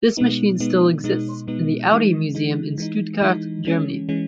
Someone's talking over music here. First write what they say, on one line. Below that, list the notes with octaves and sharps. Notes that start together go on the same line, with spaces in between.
This machine still exists, in the Audi Museum in Stuttgart, Germany.
B2 G#3 B3 D#4
B2 G#3 B3 D#4
B2 G#3 B3 D#4
B2 G#3 B3 D#4
E3 G#3 D#4
E3 G#3 D#4
E3 G#3 D#4
E3 G#3 D#4
E3 G#3 C#4
E3 G#3 C#4